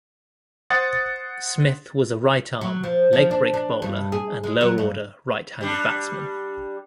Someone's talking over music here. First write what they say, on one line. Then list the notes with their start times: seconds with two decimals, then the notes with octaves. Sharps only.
Smith was a right-arm leg-break bowler and lower-order right-handed batsman.
0.70 C5 F#5 D#6 A6
2.61 F#3
2.83 F3
3.13 F3
3.31 D4
3.54 D4
3.82 G2
4.12 G#4
4.43 G#3
4.61 F#3
4.78 G2
5.61 G3 D4